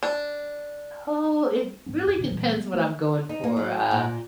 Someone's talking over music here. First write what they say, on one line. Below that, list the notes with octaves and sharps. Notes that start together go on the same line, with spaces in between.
oh, it really depends what I'm going for, uh,
D4
G#2 F3 B3 C#4
F#2
B2 D3 F3
A#2 E3 G3 G#3
B3
F3 A3
D#4
A#3
F#3
A#2